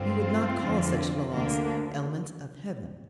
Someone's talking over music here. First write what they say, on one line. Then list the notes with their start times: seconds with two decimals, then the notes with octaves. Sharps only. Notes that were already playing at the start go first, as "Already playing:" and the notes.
You would not call such laws elements of heaven.
Already playing: G2 D3 C4 F4
0.58 F2 D3
1.34 D2 D3 A#3 D4